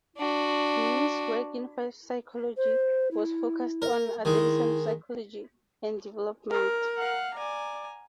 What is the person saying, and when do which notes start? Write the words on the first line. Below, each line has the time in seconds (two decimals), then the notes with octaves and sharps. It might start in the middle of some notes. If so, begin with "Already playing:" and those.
Muuss’ work in psychology was focused on adolescent psychology and development.
0.17 D4 F#4
2.57 C5
3.11 E4
3.82 A#4
4.25 D#3 G#3 E4
6.51 A#4
6.97 F5 F#5
7.34 D5 G#5 A#5